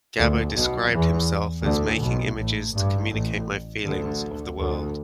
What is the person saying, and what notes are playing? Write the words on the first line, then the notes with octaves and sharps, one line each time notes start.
Gabo described himself as making images to communicate my feelings of the world.
D2 D3
B1 B2
E2 E3
D2 D3
B1 B2
A1 A2
G2
A1 A2
D2 D3
D2 D3